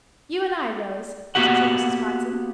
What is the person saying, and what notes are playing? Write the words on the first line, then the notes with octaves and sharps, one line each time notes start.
"You and I, Rose," said Mrs. Watson.
A#3 B3 F#4 G4 F#5